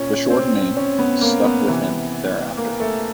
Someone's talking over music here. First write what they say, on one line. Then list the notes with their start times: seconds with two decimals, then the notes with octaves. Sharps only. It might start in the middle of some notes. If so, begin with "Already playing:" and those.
The shortened name stuck with him thereafter.
Already playing: A#2 C#4
0.30 C4
0.77 C#4
0.99 B3
1.21 A#3
1.44 B3
1.66 C3 E3
2.57 A#3
2.80 A3